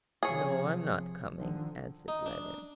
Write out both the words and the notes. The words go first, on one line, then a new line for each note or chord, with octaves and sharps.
"No, I'm not coming," answered Levin.
C3 F3 G#4 C#5
D3 D#3 F3
D#4
D4